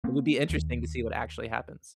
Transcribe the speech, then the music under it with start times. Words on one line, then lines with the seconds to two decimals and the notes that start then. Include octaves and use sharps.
it would be interesting to see what actually happens.
0.04 A#3 C4 C#4
0.50 D#2